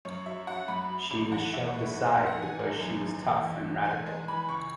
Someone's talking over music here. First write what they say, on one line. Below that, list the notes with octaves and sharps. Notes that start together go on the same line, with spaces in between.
She was shoved aside because she was tough and radical.
F#2 C#5
F#3 E5
F#3 F#5
F#2 B5
F#3
G#1
E2 F#5
E2 E5
C#5
G#3 B4
G#2
G#2
F#5
E3 G#5
G#1
F#2
F#2
E2
E2
E2
G#3 G#5
G#3 G#5
E3 B5
C#2 C#6